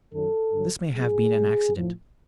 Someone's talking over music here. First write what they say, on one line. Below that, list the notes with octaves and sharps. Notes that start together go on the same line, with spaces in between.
This may have been an accident.
F#2 D#3 F#3 A4
G2 D3 F#3
A#2 F#3 G#4
B2 G3
A2 F3